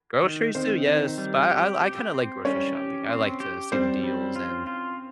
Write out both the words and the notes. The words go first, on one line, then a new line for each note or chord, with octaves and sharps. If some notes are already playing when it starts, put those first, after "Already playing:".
Groceries too, yes, but I I kinda like grocery shopping, I like to see the deals and
D#3
D#3 C4 C5
D#3
G3
G4
G4
C4
G3 C#4 C#5
G4
C4
G4
G3 C4 C5
G3
F4
F4